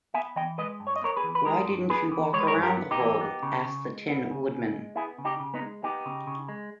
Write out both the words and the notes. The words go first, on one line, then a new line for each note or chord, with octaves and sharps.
Why didn't you walk around the hole? asked the Tin Woodman.
B3 E5 G#5
E3 D#5 G5
G#3 B4 D#5
G2
C#5
D#5
B3 A#4 C#5
G#4 B4
E3
B4
G#3 G4 A#4
G2
B3 G#4 B4
E3
G#3 C#5
B4
A#4 C#5
G2
G4 A#4
B3
D#4 G4
E3
B3
C#3
C#3
G#3
B3
C#3
C#3
G#3
B3 E4 G#4
C#3
D#4 G4
C#3
B3 D#4
G#3
B3 D#4 G4
C#3
C#3
G#3